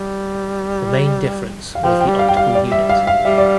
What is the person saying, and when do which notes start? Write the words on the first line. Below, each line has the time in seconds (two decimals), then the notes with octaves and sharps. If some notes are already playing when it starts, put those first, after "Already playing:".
The main difference was the optical unit.
Already playing: G3
1.75 F5
1.83 F3 G5
2.01 G5
2.08 G3
2.19 F5
2.28 G3 G5
2.37 F5
2.55 D5
2.72 E5
2.89 F5
3.07 F5
3.25 G3 E5
3.38 D5